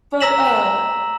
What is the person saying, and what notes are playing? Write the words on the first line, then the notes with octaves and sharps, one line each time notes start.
But, uh,
A#5 E6 A#6 B6 E7 F#7